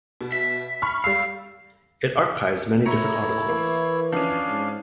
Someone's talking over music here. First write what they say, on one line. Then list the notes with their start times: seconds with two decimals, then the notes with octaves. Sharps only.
It archives many different articles.
0.21 B2
0.32 E5
0.82 B5 C#6 F6
1.04 G3 F5 E6
2.86 A2 E4 C#5 A#5 C#7
3.49 E3 A#3
4.12 F3 C#4 D4 F5
4.48 G#2